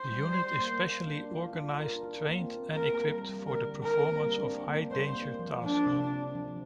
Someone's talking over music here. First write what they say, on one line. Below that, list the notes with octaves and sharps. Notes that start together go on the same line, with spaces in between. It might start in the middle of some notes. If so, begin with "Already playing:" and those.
The unit is specially organized, trained and equipped for the performance of high-danger tasks.
Already playing: C5
G3
A#3
D4
F4
F4
D4
A#4
D4
F4
A#3
C4
C4 A#4
A#3
G3
G3
D3 A#4
A#4
C4
A#3
G3
D4
C4
A#3
G3 C5
A#3
F3
F3 D4
C3
F3
F3